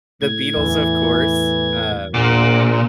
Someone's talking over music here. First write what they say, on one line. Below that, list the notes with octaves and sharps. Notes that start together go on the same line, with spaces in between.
The Beatles, of course, um,
A2 G#6
E2 E3
A#1 A#2 F#5 D6